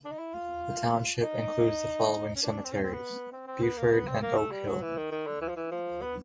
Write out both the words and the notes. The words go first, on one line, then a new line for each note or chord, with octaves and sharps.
The township includes the following cemeteries: Beauford and Oak Hill.
D4
D#4
E4
F4
D#4
C#4
D4
C4
C#4
C4
B3
C4
C4
B3
A#3
B3
C4
A#3
A3
G3
F#3
E3
D#3
D#3
D3
E3
F3
E3
F3
B3